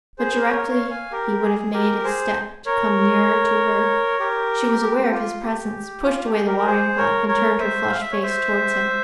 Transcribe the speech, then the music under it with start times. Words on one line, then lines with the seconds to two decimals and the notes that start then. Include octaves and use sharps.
But, directly he would have made a step to come nearer to her, she was aware of his presence, pushed away the watering pot, and turned her flushed face towards him.
0.18 G#4 C5
0.49 A#4 C#5
0.70 C#5 F5
0.91 F5 G#5
1.11 G4 A#4
1.42 G#4
1.73 G4 A#4
2.04 G#4 C5
2.66 A#4 C#5
4.20 G4 A#4
4.81 G4
5.12 F4
5.43 G4
6.04 F4
6.25 G4
6.46 G4 A#4
6.57 A#4
6.67 G#4 C5
6.97 A#4 C#5
7.28 A#4 C#5
7.59 C5 E5
7.90 F5
8.01 E5
8.12 C#5
8.23 C5 E5